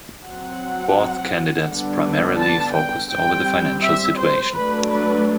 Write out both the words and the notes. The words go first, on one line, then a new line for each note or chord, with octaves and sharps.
Both candidates primarily focused over the financial situation.
F#3 C4 F#5
D3 G3 B3 D4
A5
G5
G3 C4 G5
E5
C5
F#3 A3 D4 B4
B4